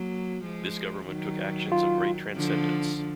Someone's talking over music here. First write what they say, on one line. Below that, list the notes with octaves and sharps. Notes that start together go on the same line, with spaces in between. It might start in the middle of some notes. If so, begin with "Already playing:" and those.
This government took actions of great transcendence.
Already playing: F#3 A#3
F3 G#3
D#3 F#3
F4
D3 F3